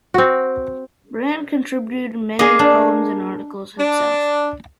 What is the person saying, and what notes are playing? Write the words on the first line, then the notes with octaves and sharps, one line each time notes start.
Brand contributed many poems and articles himself.
C4 F#4
A#3 G#4 D#5
D4
D4